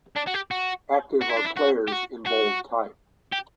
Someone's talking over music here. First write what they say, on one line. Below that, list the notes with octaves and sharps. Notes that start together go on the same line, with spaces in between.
Active are players in bold type.
D4
F#4
G4
F#4
F#4
E4
D4
E4
F#4
G4
F#4
F#4
G4